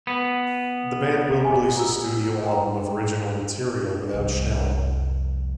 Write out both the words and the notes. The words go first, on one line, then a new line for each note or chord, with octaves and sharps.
The band will release a studio album of original material without Schnell.
B3
G#5
A#5 E6
G5 A#5
C2 F2